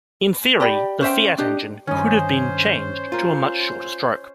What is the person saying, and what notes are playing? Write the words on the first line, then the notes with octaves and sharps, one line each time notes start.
In theory, the Fiat engine could have been changed to a much shorter stroke.
G4 D5 G5 B5
C#4 C5 E5 G5
D4 G4 D#5
G2 D#3 C#4 C5 D#5
F4 A#4